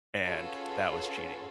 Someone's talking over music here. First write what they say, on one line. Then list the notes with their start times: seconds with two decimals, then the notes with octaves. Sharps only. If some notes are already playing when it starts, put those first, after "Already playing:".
and that was cheating.
0.21 C#4 F4 F#4 G#4 A4 B4